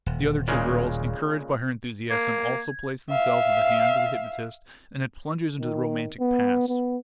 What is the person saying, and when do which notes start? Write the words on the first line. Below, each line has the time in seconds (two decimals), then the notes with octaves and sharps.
The other two girls, encouraged by her enthusiasm, also placed themselves in the hands of the hypnotist and had plunges into the romantic past.
0.06 D#1
0.48 A#2 C#3 G#3
2.11 A#3 G#6
3.10 E5 F5
5.60 D#3
6.20 B3
6.69 B3